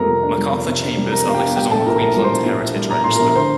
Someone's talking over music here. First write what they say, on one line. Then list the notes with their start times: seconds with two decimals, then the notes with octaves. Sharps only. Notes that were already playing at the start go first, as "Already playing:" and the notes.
MacArthur Chambers are listed on the Queensland Heritage Register.
Already playing: F2 G3 A4 A#4 A#5
0.08 C3
0.23 D4
0.38 G3
0.52 F2
0.67 C3
0.82 D4
0.97 G3
1.12 F2 A#4 A#5
1.27 C3 F5
1.34 G4 G5
1.43 D4
1.56 G3 G4 G5
1.71 A#1 A4 A5
1.86 A2 A#4 A#5
2.01 A#1 A#4 A#5
2.16 G3
2.24 C5 C6
2.31 A#1
2.46 A2
2.62 A#1
2.76 G3
2.90 A#1 A#5
3.04 A2 C6
3.15 A#1 A#4 A#5
3.35 D3 C5 C6